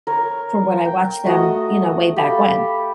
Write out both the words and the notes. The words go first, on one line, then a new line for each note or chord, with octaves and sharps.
from when I watched them, you know, way back when.
A#4 C#5
G5
A3 F#4 D#5
G4 A4 F5 B5